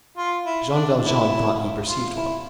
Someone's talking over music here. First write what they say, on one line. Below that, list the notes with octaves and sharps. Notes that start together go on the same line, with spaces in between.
Jean Valjean thought he perceived one.
F4
E4
D4
E4
F4
E4